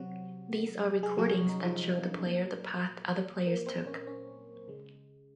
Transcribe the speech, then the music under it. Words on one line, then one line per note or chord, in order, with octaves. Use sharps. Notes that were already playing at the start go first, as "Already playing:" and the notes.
These are recordings that show the player the path other players took.
Already playing: C3 F#3 F#4
G#3 G#4
F#3 F#4
C#4
D#4
F3 F4
A#2 F#3
A#3 A#4
C4 C5
C#4 C#5
C#4 C#5
C#3 G#3